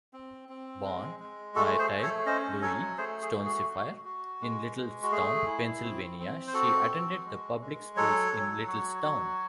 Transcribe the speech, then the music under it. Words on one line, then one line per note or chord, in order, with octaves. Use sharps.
Born Myrtle Louise Stonesifer in Littlestown, Pennsylvania, she attended the public schools in Littlestown.
C4
C4
G#3
G#3
A3 F#4 A4
G#4 C5
A3
A4 C#5
C#4 C5 D#5
F#3 A4 C#5
A3 G#4 C5
G#4
F#4
G#4
F#4
F#4
G#3
G#3
F#4
A3 G#4
E4
C4
C4
C5
F#4 A4
F#4
G#3
G#3
F#3 A4 C#5
F#3
F#4
F#3